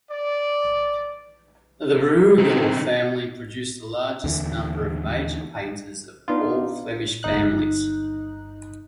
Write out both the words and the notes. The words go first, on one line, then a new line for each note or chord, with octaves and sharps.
The Brueghel family produced the largest number of major painters of all Flemish families.
D5
D3 C4 D#4
D#2 D3 E3
B3 D4 D#4 F4
G1 D#4 F#6